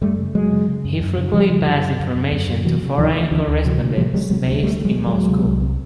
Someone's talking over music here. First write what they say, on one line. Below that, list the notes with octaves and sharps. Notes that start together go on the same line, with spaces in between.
He frequently passed information to foreign correspondents based in Moscow.
F#2 G3 A3
C#3
F#2 F#3 G#3
C#3
C#3
F#2
F#2
C#3
C#3 F3 G3
C#3
F#2
C#3
F#2
F#2
F#2
F#2
C3 E3 F#3
C3
D2 D#3 F3
D2
D2 D3 E3
D2
C3 E3 F#3
D2
C3 F3 G3
C3 F#3 G#3
C3 F#3 G#3
D2
D2 G3 A3
D2
F#3 G#3
D2
F#3 G#3
D2
C3
C2
C3